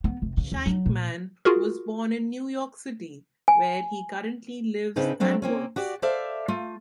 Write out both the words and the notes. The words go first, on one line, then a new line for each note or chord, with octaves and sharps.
Sheinkman was born in New York City, where he currently lives and works.
B3
F1
C#3
D#2
F#3
A#2
F4 F#4 G#4 A#4
G#5
C#3 C4 D4 D#4 B4
F#3 A3 C4 D4
A#3 C4 C#4
F#4 G4 D5
A4 C5 D5 E5 F5
A3 F4